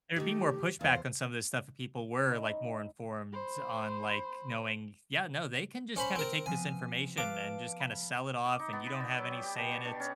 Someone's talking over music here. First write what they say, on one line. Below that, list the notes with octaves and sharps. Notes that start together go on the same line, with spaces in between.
there'd be more pushback on some of this stuff, if people were, like, more informed on, like, knowing "Yeah, no, they can just kinda take this information and just kinda sell it off, and you don't have any say in it,"
D#3 A3 G4
E2 C5 F5
C#4 D#4 E4
C5 B5
C#4 C5 B5
C4 A#4
F3 B3 C4 G#5
B4 F5 A5 D6
B5
D6
D#4
B3
B5
D5
F#3
G5
G4
B2
C#6
D4
C#4